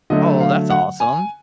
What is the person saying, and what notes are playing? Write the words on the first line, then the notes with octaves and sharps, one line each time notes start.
Oh, well that's awesome.
D3 F#3 A3 D#5
F5
F#5
G#5